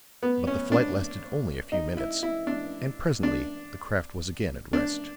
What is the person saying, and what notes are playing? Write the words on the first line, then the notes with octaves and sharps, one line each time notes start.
But the flight lasted only a few minutes, and presently the craft was again at rest.
B3
C#4
D4
D#4
E4
E4
D4
D4
D4